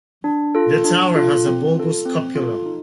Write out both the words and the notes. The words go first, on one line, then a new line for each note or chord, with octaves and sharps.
The tower has a bulbous cupola.
D4
F4 A4
D4
F4 A4
C4
F4 A4
C4
F4 A4
D#4